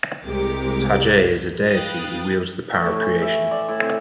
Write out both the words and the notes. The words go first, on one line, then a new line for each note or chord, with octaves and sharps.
Tajai is a deity who wields the power of Creation.
C2 C3 G#3 G4 A#4 D6
B4 F5 G5 D#6 F#6 A6
A3
A2
E3
E5
D5
A2
C4